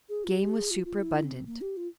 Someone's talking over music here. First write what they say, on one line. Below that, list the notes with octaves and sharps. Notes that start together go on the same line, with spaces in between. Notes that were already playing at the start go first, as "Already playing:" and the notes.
Game was superabundant.
G#4
F4
G4
G#4
F4
F4
E4
C4
A#3
G4
F4